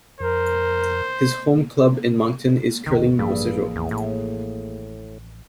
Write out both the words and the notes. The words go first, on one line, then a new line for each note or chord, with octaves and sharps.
His home club in Moncton is Curling Beausejour.
F2 A#4 C5
G1 D2 C3 D#3
A1 G2 F3 A#3 G#4
E2
A2